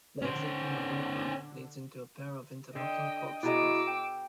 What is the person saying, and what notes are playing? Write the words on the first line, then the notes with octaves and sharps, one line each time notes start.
The exit from the brake run leads into a pair of interlocking corkscrews.
D3 C#4 C5
D3 D#5 G5
B2 E4 F#4 G#4 D#5 A#5 D6 E6
G5